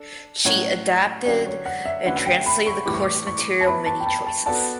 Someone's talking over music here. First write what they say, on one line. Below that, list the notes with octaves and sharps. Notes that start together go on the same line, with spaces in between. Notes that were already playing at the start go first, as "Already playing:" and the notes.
She adapted and translated the course material "Many Choices".
Already playing: D4 A4
A2 F#3 C#4 F#4 C#5
D3 F#3 C#4 G4 D5
C#5
F#5
E5
D3 A3 C#4 F#4 B4 F#5
F#5
G5
B5
C#6
A2 E3 G3 D6
C#6
D6
C#6
A5
B3 E4 B4 B5
A5
G5
A5
A5
B3 F#4 A4 D5 A5